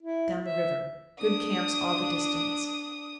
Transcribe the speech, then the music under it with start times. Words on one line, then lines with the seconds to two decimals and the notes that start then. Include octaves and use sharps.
Down the River.--Good camps all the distance.
0.03 E4
0.42 E5
1.20 D4 D#6